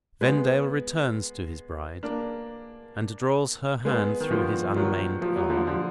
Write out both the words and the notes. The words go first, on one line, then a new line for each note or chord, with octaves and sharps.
Vendale returns to his bride, and draws her hand through his unmainied arm.
G#3 B3
A#3 D4
G#3 B3
D#3
D3 F3
F3
D#3 F#3
F3
F#3
D3 F3
D3 F3